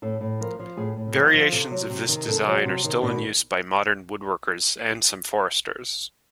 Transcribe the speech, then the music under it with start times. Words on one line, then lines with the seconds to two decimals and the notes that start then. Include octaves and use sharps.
Variations of this design are still in use by modern woodworkers and some foresters.
0.02 A2 A4
0.21 A2
0.41 F3 A#4
0.59 F3
0.77 A2 G#4
0.97 A2
1.16 F3 G4
1.33 F3
1.52 C3 A4
1.71 F#3
1.90 C3
2.09 D#3
2.28 C3 A4
2.47 F#3
2.52 G#4
2.65 C3
2.84 D#3
3.02 B2 D4